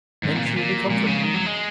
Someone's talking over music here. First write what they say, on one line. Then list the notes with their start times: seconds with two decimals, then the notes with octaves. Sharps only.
Then she will be comforted again.
0.23 G#2 D#3 F#3 C4
0.35 A#2
0.46 A#2
0.57 A#2
0.90 A#2 F3 G#3 C4
1.07 C#3
1.23 D#3
1.34 F#3
1.46 G#3